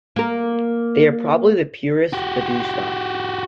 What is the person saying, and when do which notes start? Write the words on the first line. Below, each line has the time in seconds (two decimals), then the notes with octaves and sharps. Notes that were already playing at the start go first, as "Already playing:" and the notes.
They are probably the purest Baduy stock.
0.16 A#3 A#4
2.13 F#4 G4